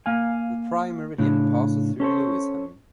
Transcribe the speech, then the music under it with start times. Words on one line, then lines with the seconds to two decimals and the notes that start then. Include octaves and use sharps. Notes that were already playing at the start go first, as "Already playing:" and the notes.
The Prime Meridian passes through Lewisham.
0.06 A#3 F5 G#5
1.18 A2 C#3 D4
2.00 C#4 A4 C5 C#5